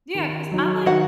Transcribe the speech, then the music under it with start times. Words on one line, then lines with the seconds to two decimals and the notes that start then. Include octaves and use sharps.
Yeah 'cause I like
0.15 D#3
0.51 F#3 D#4
0.86 D#3 F#4 F#5